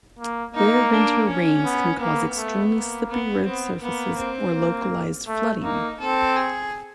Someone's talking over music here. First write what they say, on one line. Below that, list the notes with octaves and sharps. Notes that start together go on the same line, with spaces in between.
Rare winter rains can cause extremely slippery road surfaces or localized flooding.
A#3
A#3 D#4
D4
C#4
B3
A#3 B3
A3
A#3
B3
B3 C4
A#3 B3
C4
A#3
A3
A#3 D#4
C4 A4
G#4